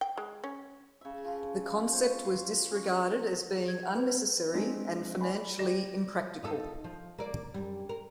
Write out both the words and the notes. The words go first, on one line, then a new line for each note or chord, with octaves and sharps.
The concept was disregarded as being unnecessary and financially impractical.
G5
G#3
C#4
C#3 E5
F3 F4
C5 C#5
C6
C#4 C#5
G#4
G#6
F#5
B4
G#3 C4 D4 D#4
D5 G#5 B5
G4 D5 A#6 E7
D#4 F4 A4
F3
A#3 D5
F#2 G3
A#4